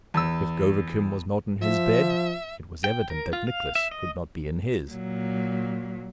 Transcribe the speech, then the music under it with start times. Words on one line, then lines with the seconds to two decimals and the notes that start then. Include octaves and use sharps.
If Govicum was not in his bed, it was evident that Nicless could not be in his.
0.14 E2 E6
1.61 F3 E5
2.84 G5
3.10 A#4
3.33 F4
3.47 F5
3.75 E5
3.91 D#5
4.91 A#2 F#3